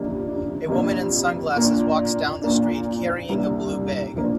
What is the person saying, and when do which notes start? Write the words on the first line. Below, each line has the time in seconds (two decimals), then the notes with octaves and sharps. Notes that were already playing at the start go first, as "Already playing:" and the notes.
A woman in sunglasses walks down the street, carrying a blue bag.
Already playing: F2 C3 A#3 D4
0.68 F2 C3 A#3 D4
1.55 A#2 A#3 D4
2.42 A#2 A#3 D4
3.29 C2 C3 A#3 D4
4.16 A#2 F3 A#3 D4